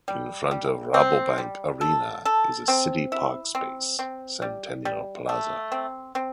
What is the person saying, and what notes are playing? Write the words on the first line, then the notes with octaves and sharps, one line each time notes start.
In front of Rabobank Arena is a city parkspace, Centennial Plaza.
G3
G3
C4
G3
A4
A4
C4
E4
C4
C4
G3
G3
A3
C4
C4